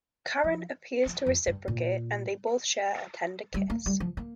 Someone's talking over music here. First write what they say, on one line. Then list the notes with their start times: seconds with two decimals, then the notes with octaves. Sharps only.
Karen appears to reciprocate and they both share a tender kiss.
0.44 F3
1.06 F3
1.26 F2
1.47 G2
1.68 A#2
3.54 G3
3.70 A#3
3.86 G3
4.00 F3
4.17 A#3